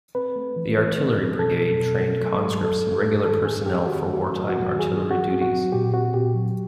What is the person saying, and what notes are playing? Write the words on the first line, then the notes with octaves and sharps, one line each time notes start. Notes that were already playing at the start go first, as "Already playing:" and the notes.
The Artillery Brigade trained conscripts and regular personnel for wartime artillery duties.
C4 B4
A3
E3
E3
C4
A3
B2 A4
F#3
B2
A3
F#3
F#3
F#2 A4
G3
F#2
D#3 A4
F#2 G#4
G3 G4
D#3 F#4
A3
F#3
F#3 F#4
D#3
G#4
F#3
F#3 F#4
C4
F#4
F#3
A#2 G4
C4 F#4
A#2 G4
F#3